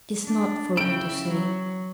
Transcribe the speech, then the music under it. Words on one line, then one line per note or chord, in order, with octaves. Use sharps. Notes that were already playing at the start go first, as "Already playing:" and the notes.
"It is not for me to say."
D4
C#3 E4 G5 D7
F#3